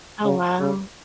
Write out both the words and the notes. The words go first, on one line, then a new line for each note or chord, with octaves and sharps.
Oh, wow.
C#3
C#3